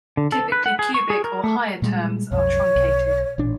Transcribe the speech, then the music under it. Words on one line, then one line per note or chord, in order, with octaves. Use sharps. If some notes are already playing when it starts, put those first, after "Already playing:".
Typically cubic or higher terms are truncated.
D3
A4
B4
F#5
G#4
C#6
G#4
A#4
A3
A#2 G3 G#3
B1 F2 C#5
B1
A1 A#2 D4